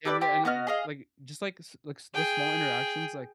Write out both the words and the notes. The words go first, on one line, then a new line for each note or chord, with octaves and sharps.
Damn, yeah, and it like, just like s like, the small interactions, like,
G4 A4 B4 D5
G4 C5
B3 F#4 D#5 F6
G#4 D#5 F5
G#4 G5